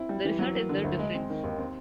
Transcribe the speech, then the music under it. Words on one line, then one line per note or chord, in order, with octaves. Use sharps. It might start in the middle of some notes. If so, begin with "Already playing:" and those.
The result is the "difference".
Already playing: C4 E4
G3
E3
F#3
A#3
D3
D2
G#3
C4
D#3
D#2
C4